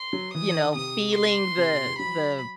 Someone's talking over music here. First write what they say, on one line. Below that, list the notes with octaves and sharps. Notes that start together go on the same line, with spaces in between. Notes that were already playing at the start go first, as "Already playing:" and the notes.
you know, feeling the the
Already playing: C6
F#3
E3 D#6
D#3
C3 D#6
C6
C3
B2
C3
F#3 B5